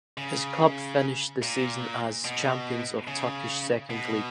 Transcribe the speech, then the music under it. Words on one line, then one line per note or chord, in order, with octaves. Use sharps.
His club finished the season as champions of Turkish Second League.
C#3
A#2
B2
C#3
B2